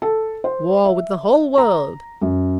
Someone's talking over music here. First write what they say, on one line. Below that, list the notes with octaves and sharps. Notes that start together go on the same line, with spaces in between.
War with the whole world!
A4
C5
E5
A#5
F#2